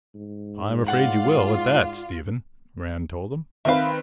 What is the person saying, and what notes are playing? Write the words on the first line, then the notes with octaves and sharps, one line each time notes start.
"I'm afraid you will, at that, Stephen," Rand told him.
G#2
F4 D5 F#5 B5
D#3 C4 B4 E5 F5